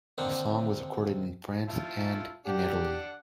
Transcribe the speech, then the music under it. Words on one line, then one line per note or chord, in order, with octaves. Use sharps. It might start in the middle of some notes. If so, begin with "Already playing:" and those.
The song was recorded in France and in Italy.
D3 D#3 A#3 C4 D4 D#4
E4 F4 A5
D4 G4 F#5